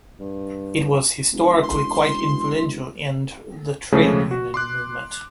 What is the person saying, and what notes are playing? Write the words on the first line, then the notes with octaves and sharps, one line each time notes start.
It was historically quite influential in the trade union movement.
G2
E1
C6
D#2 C#3 F3 G#3 A3
F#4
C6 D6 F#6